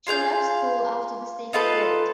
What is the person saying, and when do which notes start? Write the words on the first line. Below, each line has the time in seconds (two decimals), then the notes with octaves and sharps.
She left school after the sixth grade.
0.07 F4 G#4 F5 G6
1.53 D#4 F4 A4 B4